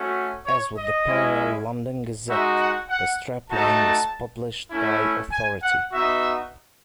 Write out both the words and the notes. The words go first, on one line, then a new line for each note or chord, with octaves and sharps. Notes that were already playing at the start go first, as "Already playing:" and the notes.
As with the parallel "London Gazette", the strapline was "Published by Authority".
Already playing: A3 C#4 F#4
C#5
D#5
G#3 C#4 E4
G#3 D#4 F#4 E5
F#5
F#5
A3 D#4 F#4 A5
A3 C#4 E4
G#5
F#5
B3 D#4 F#4 E5